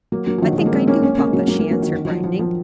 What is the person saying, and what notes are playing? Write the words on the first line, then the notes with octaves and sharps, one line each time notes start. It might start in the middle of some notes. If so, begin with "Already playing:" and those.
"I think I do, papa," she answered, brightening.
F#3 A#3
F#3 A#3
F3
D#3 F#3
F#3
F3 G#3
A#3
G#3 C4
A#3 C#4
A#3 C#4
A#3 C#4
G#3
F#3 A#3
F#3 A#3
F#3 A#3
F#3 A#3
D#3 F#3
D#3
F#3
F3
F3
F3